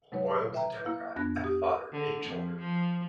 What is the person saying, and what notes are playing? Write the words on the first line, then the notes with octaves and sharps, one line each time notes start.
Boyle was a Democrat, and the father of eight children.
C3 F#3 G#3 D#4 B4 C#5
B4 E5 G5 A#5
B4 G6
A#3 E4 F5
F2 B3 D4 F#6 A#6
G4 D#6
D3
F2
F3